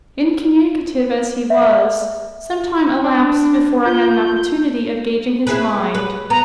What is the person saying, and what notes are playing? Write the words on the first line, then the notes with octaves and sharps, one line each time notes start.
Incommunicative as he was, some time elapsed before I had an opportunity of gauging his mind.
E5
D4
F4 G6
E4 G#4 B4
B4
B3 A#5